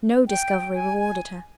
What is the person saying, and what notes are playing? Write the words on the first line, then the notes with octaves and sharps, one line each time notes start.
No discovery rewarded her.
G5
G#5
G#5